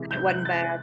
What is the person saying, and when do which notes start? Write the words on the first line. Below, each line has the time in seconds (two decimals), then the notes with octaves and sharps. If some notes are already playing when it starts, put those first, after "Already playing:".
And it wasn't bad.
Already playing: C3 E3 G#3
0.11 G6
0.28 F#6
0.45 A6